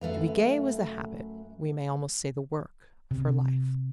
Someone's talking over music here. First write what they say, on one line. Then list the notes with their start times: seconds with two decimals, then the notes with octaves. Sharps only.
To be gay was the habit,--we may almost say the work,--of her life.
0.01 F#2 A3 B4 F5
3.11 C3